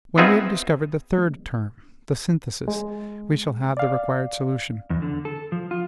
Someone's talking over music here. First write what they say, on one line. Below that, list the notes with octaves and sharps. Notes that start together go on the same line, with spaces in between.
When we have discovered the third term, the SYNTHESIS, we shall have the required solution.
B3 C4 D#4 F4 G#4 E5
G#3
D5 F5
E2
D3
A4
F3
F4